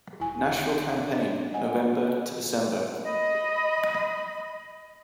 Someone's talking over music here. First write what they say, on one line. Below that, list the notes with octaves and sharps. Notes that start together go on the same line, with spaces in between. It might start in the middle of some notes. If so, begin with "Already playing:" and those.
Nashville Campaign November-December.
E1 E4 G#5
D4
D#5 F#5 G#5
D#5 B5